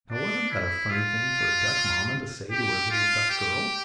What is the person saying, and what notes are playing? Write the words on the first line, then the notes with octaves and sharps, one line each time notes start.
Now wasn't that a funny thing for a duck mamma to say to her little duck girl?
D4
E4
F4
G4
F4
G4